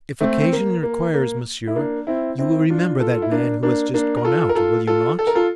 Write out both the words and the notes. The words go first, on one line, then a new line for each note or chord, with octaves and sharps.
"If occasion requires, monsieur, you will remember that man who has just gone out, will you not?"
A3 C4
C4
A#3
A#3
A#3
E4
A#3 D4
C4 E4
C4 E4
D4 F4
F4 A4
F4
E4
A#3 D4
A#3 D4
A#3 D4
A#4
F4 A4
A#4
F4 A4
F4 A4
A4
A#4
F4 A4